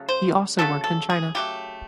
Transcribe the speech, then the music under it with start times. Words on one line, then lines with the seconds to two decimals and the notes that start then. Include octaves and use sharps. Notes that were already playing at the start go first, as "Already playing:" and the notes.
He also worked in China.
Already playing: C#3 F#3 A3
0.09 C5
0.59 C#3 F#3 A3 A4
0.84 A4
1.10 G#4
1.35 C#3 F#3 A3 G4